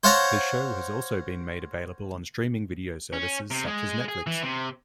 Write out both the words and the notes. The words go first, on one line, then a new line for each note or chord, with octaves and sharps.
The show has also been made available on streaming video services such as Netflix.
C5 C#5 F5 F#5 A5 A#5
C#4
C3
G#3 G#4
G#4
E3
C3